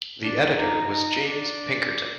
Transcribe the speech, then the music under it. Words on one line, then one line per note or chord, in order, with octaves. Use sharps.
The editor was James Pinkerton.
D4
D#4
D#4
D4